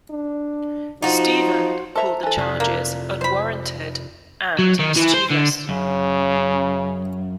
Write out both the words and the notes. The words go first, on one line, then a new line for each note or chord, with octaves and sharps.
Stephen called the charges unwarranted and mischievous.
D4
F3 D#4 F4 F#4
A4 C5 E5 A#5
E3 A4 A5
F2 C3 D5
A#3
C5 B5
F#3
D#3
E3
C5
D3
F#2 C#3